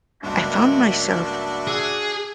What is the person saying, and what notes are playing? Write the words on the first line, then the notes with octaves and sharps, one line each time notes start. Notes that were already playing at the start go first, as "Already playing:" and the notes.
I found myself
G1 C#2 G2 A#3 D4 F#4 E5
G#4 D6 E6 F#6